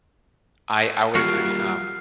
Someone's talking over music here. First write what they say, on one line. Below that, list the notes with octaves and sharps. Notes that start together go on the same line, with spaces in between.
I I would agree. Um,
G3 A#3 F4 F#4 F6 F#6 C7